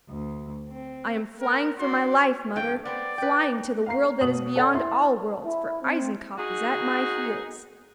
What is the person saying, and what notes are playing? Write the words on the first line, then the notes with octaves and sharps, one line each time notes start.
'I am flying for my life, mother, flying to the world that is beyond all worlds, for Eisenkopf is at my heels.'
D2
C4
A#4
F#4 D5 C6
G2 E3 A3 G5
B3 C4 D5
B4 G5
F5 A#5 C7
B2 D#6 F#7
A4 D5 F#5 A5 A6
E4 C6
E4
C4
D#4 F#4 G#4